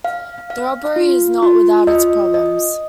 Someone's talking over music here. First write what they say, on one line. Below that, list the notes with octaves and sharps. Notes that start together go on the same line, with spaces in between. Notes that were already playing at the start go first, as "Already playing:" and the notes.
The robbery is not without its problems.
F5
F5
F4
F4
D#5
D#5